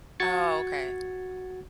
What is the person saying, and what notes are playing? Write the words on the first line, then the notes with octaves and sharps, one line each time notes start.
Oh, okay.
F#4 G#6 A6 C#7